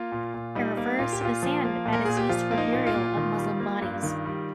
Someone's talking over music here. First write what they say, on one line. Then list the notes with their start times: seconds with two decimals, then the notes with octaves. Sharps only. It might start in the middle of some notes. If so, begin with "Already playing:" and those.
It refers to the sand that is used for burial of Muslim bodies.
Already playing: A#3 F4
0.12 A#2
0.34 A#2
0.55 G3 D#4
0.77 A#3
0.99 A#2 F4
1.13 G4
1.21 A#2 F4
1.43 F3
1.65 A#3
1.86 A#2
1.93 A#4
2.05 A#2 G#4
2.17 G4
2.29 F3 F4
2.51 A#3
2.58 D#4
2.73 A#2
2.87 F4
2.94 A#2
3.17 D#3
3.38 G3
3.60 A#3
3.81 G2
4.03 D#3
4.25 G3